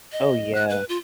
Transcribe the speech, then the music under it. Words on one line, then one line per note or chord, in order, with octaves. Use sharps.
Oh, yeah.
D#5
F#6
B4
F4